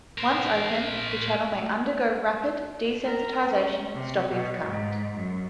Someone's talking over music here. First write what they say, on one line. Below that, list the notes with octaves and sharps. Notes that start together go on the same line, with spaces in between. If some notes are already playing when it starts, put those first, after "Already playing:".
Once open, the channel may undergo rapid desensitization, stopping the current.
A#4 C5
A#4
C#4
C3
B2
G#2
F#2